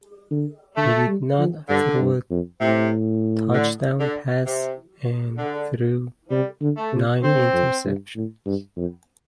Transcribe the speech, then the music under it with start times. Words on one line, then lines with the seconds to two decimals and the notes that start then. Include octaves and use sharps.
He did not throw a touchdown pass and threw nine interceptions.
0.31 D3
0.77 D3 A3
1.08 G3
1.39 F3
1.69 G2 D3
2.00 G2
2.30 F2
2.61 A2 C3
3.54 D3
4.00 D3
4.46 C3
5.38 D3
6.31 C3 G3
6.61 D3
6.77 A3
6.93 C3
7.23 D3 C4
7.53 F2
7.85 G2
8.16 A2
8.46 G2
8.77 F2